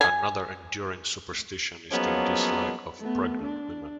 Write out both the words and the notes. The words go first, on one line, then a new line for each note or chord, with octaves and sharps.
Another enduring superstition is their dislike of pregnant women.
G#5
F3 F#3 G#3 A#3 B3 C#4
A3 B3
D4